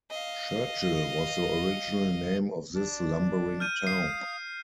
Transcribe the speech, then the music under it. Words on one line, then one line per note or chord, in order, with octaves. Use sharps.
Churchill was the original name of this lumbering town.
D#5 F5
D4 D5
F6 G6 D#7
F5 D#6 C7